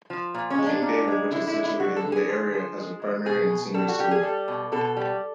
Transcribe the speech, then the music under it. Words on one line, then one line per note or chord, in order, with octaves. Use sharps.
King David which is situated in the area has a primary and senior school.
F3
A#2
C#4
G#3
D4
A#2
G#3
D3 E4
E4
G#3
E4
D3 F#4
A4
D3
G#4
F3
F3
G#3
G#3
B2 G#4
B2
G3 A4
F#4
G3 G4
G#4
G3 A4
B2
B2 A4
G3